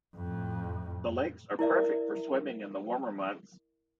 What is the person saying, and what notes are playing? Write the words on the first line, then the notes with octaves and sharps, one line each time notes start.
The lakes are perfect for swimming in the warmer months.
F2 A2
E4 A#4 D5 E5